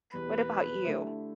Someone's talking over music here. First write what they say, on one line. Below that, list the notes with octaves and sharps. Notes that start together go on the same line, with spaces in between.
What about you?
E2 B2 G3 B4
D3 A3 E4 G4